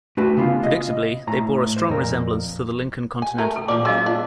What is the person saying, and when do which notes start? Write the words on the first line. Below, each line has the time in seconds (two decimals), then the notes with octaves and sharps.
Predictably, they bore a strong resemblance to the Lincoln Continental.
0.17 A3 D4 F#4 G4 B4
0.37 C#3 A#3 B3 F4
0.63 D#5
1.27 A2 A#5
1.76 C5
1.88 F2 A#2 A#4
3.22 G#5
3.38 A3 A#4 G5 A5
3.56 A4
3.68 A#2 E3 F3 F4 D5 D6
3.85 F#3 G#3 C#4 A#4 D#5 F5
4.06 G#3 B3 D4 F4